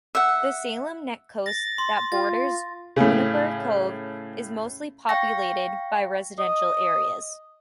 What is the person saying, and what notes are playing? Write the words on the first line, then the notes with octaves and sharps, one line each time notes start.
The Salem Neck coast that borders Juniper Cove is mostly populated, by residential areas.
E5 F#5
A6 A#6
C6
F4 A6
A2 C#3
F5 G5 C#6 A#6
D#5